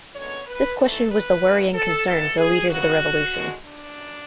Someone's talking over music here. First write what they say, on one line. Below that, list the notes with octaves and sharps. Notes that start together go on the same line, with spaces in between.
This question was the worrying concern for the leaders of the Revolution.
F#2 D3 G#3 B3 C#5
B4
G#2 E3 A3 A4
B4
D2 D3 A3
A4
F#2 E3 B3 A4
G#4
D2 C#3 F#3 B3 F#4
E2 D3 G#3
D4
F#2